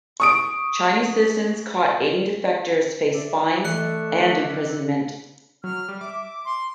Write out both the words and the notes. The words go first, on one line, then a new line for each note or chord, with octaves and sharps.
Chinese citizens caught aiding defectors face fines and imprisonment.
C#6 D#6 D7
D5 E5
E3 A3 F#6 C#7
F#3 F6
G3
E5 D6
C6